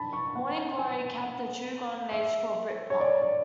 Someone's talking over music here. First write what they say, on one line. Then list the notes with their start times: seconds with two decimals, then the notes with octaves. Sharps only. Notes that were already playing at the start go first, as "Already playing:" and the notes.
"Morning Glory" capped a true golden age for Britpop.
Already playing: A5 B5
0.13 C#6
0.35 F#5
0.78 G#5
1.24 F#5
2.11 E5
2.90 C#5
3.00 D5
3.22 D5